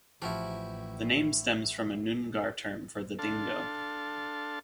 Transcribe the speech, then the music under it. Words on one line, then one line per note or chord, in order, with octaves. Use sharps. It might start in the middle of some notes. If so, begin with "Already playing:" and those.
The name stems from a Noongar term for the dingo.
A1 F3 E4 F#4 G4
D4 A4 F5 A5 C6